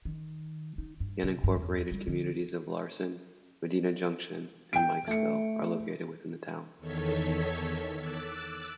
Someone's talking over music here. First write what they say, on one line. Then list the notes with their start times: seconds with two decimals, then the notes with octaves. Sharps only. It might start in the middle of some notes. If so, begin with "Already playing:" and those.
The unincorporated communities of Larsen, Medina Junction, and Mikesville are located within the town.
0.05 D#3
0.78 D#4
1.00 G2
1.24 C3
1.44 G2
1.56 E2
1.92 G3
2.08 D3
4.73 G5 D7
5.08 A3 C#7
6.79 E2 D#3 A4 C#5 G#6 B6
7.98 D6 E6 F#6 A6